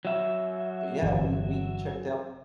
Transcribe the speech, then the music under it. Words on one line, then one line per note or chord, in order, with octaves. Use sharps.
but, yeah, we we checked out
F#3 E5
G1 E3